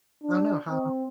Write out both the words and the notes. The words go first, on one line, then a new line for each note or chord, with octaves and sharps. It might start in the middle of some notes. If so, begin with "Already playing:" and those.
I don't know how
D4
C4